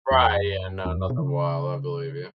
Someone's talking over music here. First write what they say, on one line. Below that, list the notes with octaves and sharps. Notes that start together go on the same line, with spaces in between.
Right, yeah, no, nothing wild, I believe you.
E2
F#2
E2
F#2
B2
E3
C#3